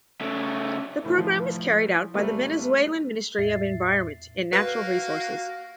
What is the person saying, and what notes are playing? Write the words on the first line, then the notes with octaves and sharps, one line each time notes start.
The program is carried out by the Venezuelan Ministry of Environment and Natural Resources.
C#3 A3
F1 A2 E3
F3
F#1 G3 A3 A#3
E2 A2 E5 A6 C7
A#3 F#4 B4 F5